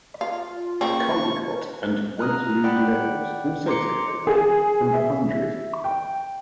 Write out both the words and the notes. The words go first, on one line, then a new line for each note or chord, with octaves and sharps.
The Caldicot and Wentloog Levels also take their name from the hundred.
F4 F5
C#3 A#3 C4 C#6
A#5 D#6 F6 F#6
D5 F#5 G5 B5 F#6
A#5 C6 D6 C#7
G#4
E5
G5